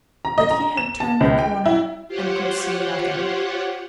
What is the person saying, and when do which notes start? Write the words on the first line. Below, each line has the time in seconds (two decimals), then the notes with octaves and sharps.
But he had turned the corner and could see nothing.
0.25 A#5
0.38 D#5
0.51 A#5
0.77 E7
1.00 A5
1.20 C#2
1.39 G5
1.66 E4
2.08 F4 G4 C5 C#5 F#5